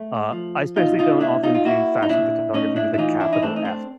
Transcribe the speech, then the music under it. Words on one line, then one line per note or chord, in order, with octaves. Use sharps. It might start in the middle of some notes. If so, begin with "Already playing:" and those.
Uh, I especially don't often do fashion photography with a capital F.
Already playing: A3
F3
A#2 D#4 F4
D#4 F4
A#3 D4 E4
D#4 F4
F4
A#3 E4 F#4
D#4
A#2 D4 E4
A3 C#4 D#4
D4 E4
E4
E3 D#4 F4
D4 E4
D#4
A3 C4 D4
D#4
C4 D4